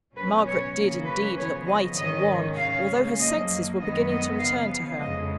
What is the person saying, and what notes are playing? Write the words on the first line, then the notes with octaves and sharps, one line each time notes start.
Margaret did indeed look white and wan, although her senses were beginning to return to her.
B2 F#3 C#4 B4
C#5
C#3 F#3 A#3 C#4
B4
C#3 F3 B3 C#5
D#5
G#2 D#3 G#3 C#4 D#5
C#3 G#3 C#4 F5
F#2 F3 A#3 D#5
F#2 D#3 G#3 B3 D#5
D#5
C#3 F3 B3 F5
F2 C#3 G#3 D#5